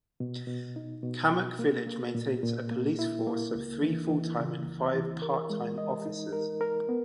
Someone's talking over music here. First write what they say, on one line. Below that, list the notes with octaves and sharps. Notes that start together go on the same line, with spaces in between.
Cammack Village maintains a police force of three full-time and five part-time officers.
B2
B2
D#4
B2
B2
A#3
A#3
A#2
A#2
A#3
E4
A#3
C#2
E3
E3
C#3
C#2
E3
A#4
G#3
D#5
D#4
A#4
A#4
B3